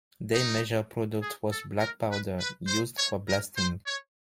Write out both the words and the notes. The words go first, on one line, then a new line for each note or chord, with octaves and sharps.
Their major product was black powder, used for blasting.
D#4
G#4
A4
A#4
B4
B4
C5
C#5
A#4
C5
C#5